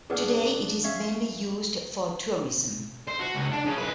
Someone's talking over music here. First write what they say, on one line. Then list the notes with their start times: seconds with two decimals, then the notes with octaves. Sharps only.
Today it is mainly used for tourism.
0.10 A#2 B3 D4 G#4 B4 F#5
0.84 C#4 E5 F5
3.08 C5
3.20 F#4
3.36 C#2
3.52 D4
3.66 C#3
3.78 G#3 B4